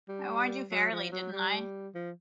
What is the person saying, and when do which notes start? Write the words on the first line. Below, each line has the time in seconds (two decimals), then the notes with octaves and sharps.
I warned you fairly, didn't I?
0.09 G3
0.71 F#3
0.91 F3
1.12 F#3
1.33 G3
1.94 F3